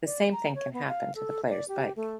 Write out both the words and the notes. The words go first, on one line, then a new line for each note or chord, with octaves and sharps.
The same thing can happen to the player's bike.
D5
A#5
C#5
B3
F5
A4
D5
G4
A3